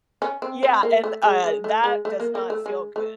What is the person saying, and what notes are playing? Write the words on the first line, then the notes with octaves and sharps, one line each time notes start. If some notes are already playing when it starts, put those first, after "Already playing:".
E yeah, and, uh, that does not feel good,
C#4
C4
C4
A#3
A3
G#3
G#3
A3
G#3
A3
A#3
A#3
A3
G#3
A3